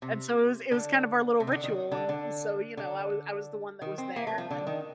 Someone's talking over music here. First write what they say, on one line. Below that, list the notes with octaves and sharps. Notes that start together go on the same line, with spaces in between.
And, so, it was it was kind of our little ritual and, so, you know, I wa I was the one that was there, and then,
C3
D3
C3
D#3
D3
D#3
D3
D3
D3
D#3
C4
A#3
A3
F3
D3
D#3